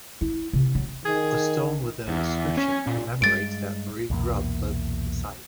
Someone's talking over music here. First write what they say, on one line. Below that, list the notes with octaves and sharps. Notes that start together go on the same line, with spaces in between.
A stone with an inscription commemorates that Marie Grubbe lived at the site.
E4
C3
F#3
D#3 G#4
E2
C#4
A#2
G2 G#3 A6 D7
B1 E2 A#2